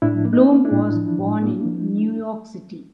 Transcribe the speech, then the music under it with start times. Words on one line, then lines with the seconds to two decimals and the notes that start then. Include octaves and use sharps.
Bloom was born in New York City.
0.02 A2 D4 E4
0.25 A#3
0.33 D#4
0.49 A#3
0.65 D4 E4
0.72 A2
0.96 F3
1.19 A2
1.42 A#3
1.65 F3